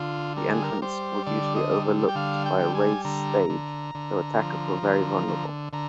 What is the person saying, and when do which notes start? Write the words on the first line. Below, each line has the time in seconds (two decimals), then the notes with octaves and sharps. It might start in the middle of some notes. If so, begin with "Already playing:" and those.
The entrance was usually overlooked by a raised stage so attackers were very vulnerable.
Already playing: D3 F4
0.36 G3 A#4
0.50 G#4
0.64 A#4
0.82 G3 C5
1.27 D3 D5
1.56 D#5
1.71 G3
2.09 G5
2.15 D3 F5
2.46 G5
2.60 G3
2.75 G#5
3.05 D3 A#5
3.50 D3
3.95 D3
4.38 F3
4.83 D3
5.28 D3
5.73 D3 A#5